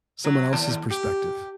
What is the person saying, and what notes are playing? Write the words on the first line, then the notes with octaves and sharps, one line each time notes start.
someone else's perspective.
F#3
D#2
G4